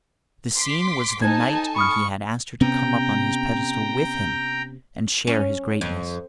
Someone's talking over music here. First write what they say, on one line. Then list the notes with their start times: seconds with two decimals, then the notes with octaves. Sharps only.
The scene was the night when he had asked her to come up on his pedestal with him and share his greatness.
0.57 C6 D6 B6
1.22 D#4 A4 C5 G#5 A5 G#6
1.76 B5 C#6 D#6 F6
2.61 C3 B3 C#4 G5 A#5
5.27 C#4
5.81 F2